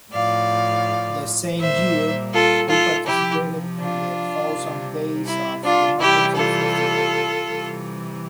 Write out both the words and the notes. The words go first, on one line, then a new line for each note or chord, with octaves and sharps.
The same year, he participated in the Thousand Days of Democracy festival.
A2 F3 D5 F5
A#2 G3 C5 E5
F4 A4
F4 A4
C3 F3 E4 G4
D4 F4
C3 G3
E4
D4 F4
C3 E3 G3 E4 G4
F4 A4
C3 E3 G3